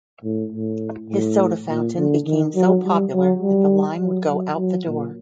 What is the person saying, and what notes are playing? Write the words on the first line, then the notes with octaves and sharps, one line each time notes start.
His soda fountain became so popular that the line would go out the door.
A2
A2
A2
A#2
D3
D#3
F#3
G3
F#3
G3
F#3
F#3
F#3
A#2